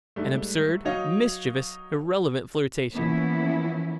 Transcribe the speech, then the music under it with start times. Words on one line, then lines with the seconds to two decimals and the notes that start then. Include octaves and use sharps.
An absurd, mischievous, irrelevant flirtation.
0.16 G#2 G3 A3
0.85 F#3 D#4 C#5 D#5 F5
2.93 E3 F3 A#3 B3 C#4 E4